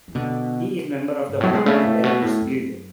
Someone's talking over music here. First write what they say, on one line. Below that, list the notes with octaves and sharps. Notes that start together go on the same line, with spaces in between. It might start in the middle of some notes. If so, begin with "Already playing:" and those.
He is a member of the Hong Kong Directors' Guild.
E3
B2 D3
G#2
A2 F#3
B2 G#3
C#3 A3
A2
B2
A2
F#2